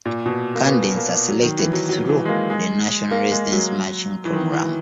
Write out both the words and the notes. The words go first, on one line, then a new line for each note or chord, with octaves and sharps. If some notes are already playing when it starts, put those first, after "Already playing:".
Candidates are selected through the National Residency Matching Program.
A#2
B2
A#3
B3
A#3
F#3
D#3
E3
F#3
F#3
E3
G#3
A#3
G#3
A#3
G#3
F#3
E3
D#3
E3